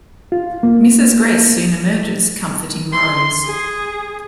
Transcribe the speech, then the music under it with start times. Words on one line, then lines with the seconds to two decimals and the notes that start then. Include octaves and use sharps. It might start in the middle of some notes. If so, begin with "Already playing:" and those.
Mrs. Grace soon emerges, comforting Rose.
0.32 F4
0.63 A#3
2.93 C6
3.45 G#4